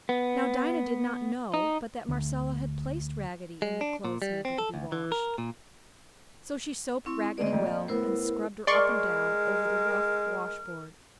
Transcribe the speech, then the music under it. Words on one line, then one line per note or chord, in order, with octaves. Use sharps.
Now Dinah did not know but that Marcella had placed Raggedy in the clothes hamper to be washed, so she soaped Raggedy well and scrubbed her up and down over the rough wash-board.
B3
D#4
D2
G#3
D4
A#2
G3
C4
A4
D2
E3
A#4
A#2
C4 E4 C#6
D2 G#2 G#3 D5 D#5
F2 A#2
A2 B3 E4 A#4 C5
G#3 A#4 D5 C6 C#6